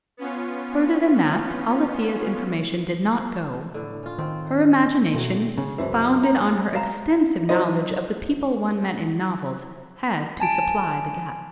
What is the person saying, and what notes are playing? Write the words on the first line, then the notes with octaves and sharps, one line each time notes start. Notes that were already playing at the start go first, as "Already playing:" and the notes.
Further than that Alethia's information did not go; her imagination, founded on her extensive knowledge of the people one met in novels, had to supply the gaps.
B3 C#4 F4
A2 D3
C#4 F4
D#3 C4
B2 F#3 A3
C#3
C2 F#2 E3
A#5
F5 A5 A#5
F#3 A3 D#4 F4 C5 D#5
G#5 A5 D7